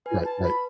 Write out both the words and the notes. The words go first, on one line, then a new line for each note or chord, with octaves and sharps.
Right, right.
B4 G#5
A5
B5